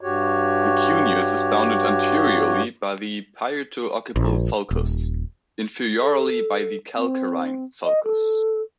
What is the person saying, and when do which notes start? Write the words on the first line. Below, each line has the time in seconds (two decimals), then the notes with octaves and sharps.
The cuneus is bounded anteriorly by the parieto-occipital sulcus, inferiorly by the calcarine sulcus.
0.01 G2 F#4 G4 C#5
4.16 A#1
4.71 D#1
6.01 A4
6.96 C4
7.84 D#5
8.05 A4